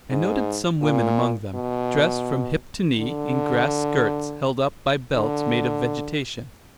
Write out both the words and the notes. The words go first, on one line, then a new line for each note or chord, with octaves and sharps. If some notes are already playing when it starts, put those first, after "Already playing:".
I noted some women among them, dressed from hip to knee in grass skirts held up by belts made of vegetation.
G#2
A#2
B2
D3
D3